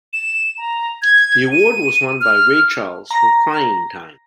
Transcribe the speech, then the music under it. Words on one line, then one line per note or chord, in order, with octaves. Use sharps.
The award was won by Ray Charles for "Crying Time".
E7
A#5
G#6
D#7
F6
A#5 A#6